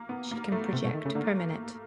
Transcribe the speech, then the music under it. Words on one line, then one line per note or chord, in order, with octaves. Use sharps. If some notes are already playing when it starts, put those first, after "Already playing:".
She can project per minute.
Already playing: A#3
B3
A#3
A3
C3
B2
D#3
C#3 A3
D3 A#3